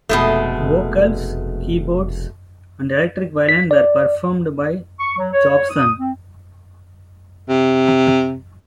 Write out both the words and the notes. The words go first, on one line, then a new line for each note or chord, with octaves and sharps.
Vocals, keyboards, and electric violin were performed by Jobson.
F1 B2 G#3 A3
B6
D5
C#6
F#3
C#5
D#6
C4
C3